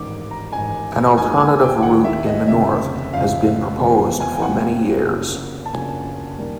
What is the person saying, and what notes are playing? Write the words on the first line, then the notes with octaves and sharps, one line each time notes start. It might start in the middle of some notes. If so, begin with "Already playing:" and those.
An alternative route in the north has been proposed for many years.
Already playing: A1 G#2 D#3 D6
A#5
A1 G#2 D#3 G#5
D#2 D#3 G#3 G#5
G#5
G5
D#2 D#3 G#3 F#5
E5
D#5
F1 F2 C#3 E5
F1 F2 C#3 F5
E2 C3 F3 G#3 B3
G#5
G5
E2 C3 F3 G#3 B3 F#5
F#2 C#3 F3 A#3 D4
A5
F#2 C#3 F3 A#3 D4 G#5
D#3 G3 A#3